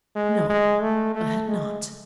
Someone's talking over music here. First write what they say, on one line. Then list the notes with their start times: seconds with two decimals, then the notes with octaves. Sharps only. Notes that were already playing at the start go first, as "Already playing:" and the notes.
No, I had not.
0.16 G#3
0.50 G#3
0.82 A3
1.15 A3
1.48 G#3